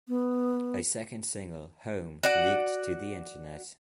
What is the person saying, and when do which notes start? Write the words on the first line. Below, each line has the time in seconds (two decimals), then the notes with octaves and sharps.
A second single "Home" leaked to the Internet.
0.08 B3
2.23 F#4 D5 F#5